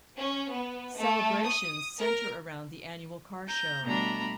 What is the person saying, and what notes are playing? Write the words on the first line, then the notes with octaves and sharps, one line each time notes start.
Celebrations center around the annual car show.
C#4
B3
A3
D#6
A#4
A#5 G6
B2 G3 A3 D4 A#5 B5